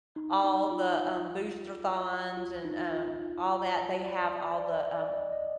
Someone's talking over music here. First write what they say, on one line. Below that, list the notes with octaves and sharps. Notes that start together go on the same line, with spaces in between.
all the, um, Boosterthons and, um, all that, they have all the, um
D#4
D#4
F4
F4
D#4
F4
D5
D5
D5
D#5
D#5